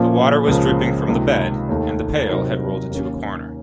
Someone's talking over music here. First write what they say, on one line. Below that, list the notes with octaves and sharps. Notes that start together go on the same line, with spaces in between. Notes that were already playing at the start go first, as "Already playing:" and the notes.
The water was dripping from the bed, the pail had rolled into a corner.
Already playing: A#2 F3 A#3 C#4 F4
C#2 C#3 F3 A#3
C#2 C3 D#3 A#3 F4
D#2 D#3 A3
C3 F#3 C4 D#4 A#4
D#2 D#3 A#3 C#4